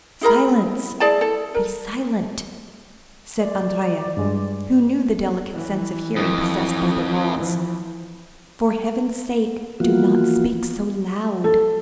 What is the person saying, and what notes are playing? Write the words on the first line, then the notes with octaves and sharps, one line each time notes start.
"Silence,--be silent!" said Andrea, who knew the delicate sense of hearing possessed by the walls; "for heaven's sake, do not speak so loud!"
E4 G#4 A#4 B5
E4 G#4 D5 A5
A4
A#4
D5
G2 G#3
E3
F2
E3 F3
E3 F3 A#3 B3 F4 F#4
A4